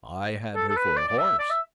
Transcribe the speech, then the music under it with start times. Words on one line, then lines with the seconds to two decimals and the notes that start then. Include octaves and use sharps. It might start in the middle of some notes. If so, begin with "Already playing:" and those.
"I had her for a horse."
0.55 A4
0.69 A4
0.76 B4
0.97 D5
1.08 D5
1.18 E5
1.39 D5
1.50 E5